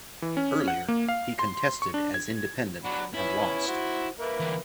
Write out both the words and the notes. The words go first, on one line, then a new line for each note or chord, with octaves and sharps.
Earlier he contested as Independent and lost.
E3
C#4
F#5
A#3
F5
C6
C#6
D4
G#6
F#3 D4 F#4 B5
B3 C#4 E4
F#4 C5
A#3 B4 E5
D3 E3